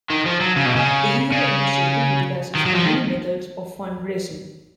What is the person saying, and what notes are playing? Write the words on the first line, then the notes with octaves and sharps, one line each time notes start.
The Hero Initiative utilizes many methods of fundraising.
D#3
F3
F#3
C#3
B2
C#3
C#3
D#3
F#3
F3
D#3